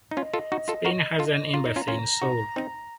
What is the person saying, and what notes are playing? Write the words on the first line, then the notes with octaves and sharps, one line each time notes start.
Spain has an embassy in Seoul.
D#4
C#4 F4 D#5
F4 A4
D#4 F#4
F4 A4
F#4 A#4
F4 A4
F4 A#5
D#4
C#4 F4
C#4 F4
D#4 F#4
C4 D#4